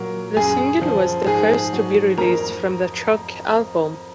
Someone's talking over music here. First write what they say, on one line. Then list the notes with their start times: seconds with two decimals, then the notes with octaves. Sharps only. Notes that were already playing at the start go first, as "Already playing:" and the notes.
The single was the first to be released from the "Choke" album.
Already playing: A#2 F#3 A#4
0.37 F#2 G#4 G#5
0.82 F3
1.27 G#2 G#4 G#5
1.73 F#3
2.18 F2 A#4 A#5